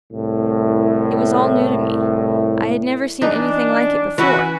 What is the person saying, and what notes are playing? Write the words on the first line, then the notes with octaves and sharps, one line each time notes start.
It was all new to me. I had never seen any thing like it before.
C2 A2
E3 D4 D#4
E3 C#4 E4 F#4 B4